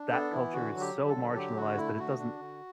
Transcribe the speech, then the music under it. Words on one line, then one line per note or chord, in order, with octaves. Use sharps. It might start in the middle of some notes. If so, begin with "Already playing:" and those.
that culture is so marginalized that it doesn't
Already playing: D4
B3 A4
E3 E4
D3 F#4
F#3
G4
D3
A4
F#3
D3 G4
D3 F#4
A3 E4
D3 F#4
D4
D3